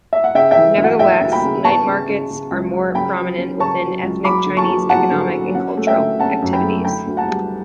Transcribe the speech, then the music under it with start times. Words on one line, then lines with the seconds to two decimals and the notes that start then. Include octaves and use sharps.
Nevertheless, night markets are more prominent within ethnic Chinese economic and cultural activities.
0.13 E5
0.24 F#5
0.35 C#3 E5 G5
0.51 E5 G5
0.57 E3
0.78 D2
0.84 F#5
0.99 E3 E5 G5
1.21 D2
1.32 G5 B5
1.43 C#3
1.65 B3 A5 C#6
1.87 C#3
2.08 C#3
2.30 C#3
2.51 C#2
2.73 F#3
2.95 C#3 G5 B5
3.17 F#3
3.38 C#4
3.59 C#3 A5 C#6
3.82 F#3
4.03 C#2
4.24 F#3 B5 D6
4.46 D3
4.57 A5 C#6
4.69 F#3
4.89 F#3 F#5 A5
5.11 D3
5.34 F#3
5.55 C#4 F#5
5.77 A3
5.87 E5 G5
5.98 D3
6.20 C#4 F#5 A5
6.42 F#2
6.53 G5 B5
6.63 A3
6.85 D3 G5 B5
7.07 D2
7.17 F#5 A5
7.28 G3